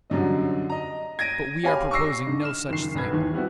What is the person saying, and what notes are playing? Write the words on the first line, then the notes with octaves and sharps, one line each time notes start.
But we are proposing no such thing.
C2 F#2 D3 D#5
D#5 A#5
G#6 A#6 D7 D#7
G4 C#5 F5 G#5 B5
C#6 D6 E6 A#6 C7
D3 D#4
F6 E7
F#1 D#3 C7
B1 B4 G#6
D#2 D#3 E3
G3 B3 C4 E4 F#4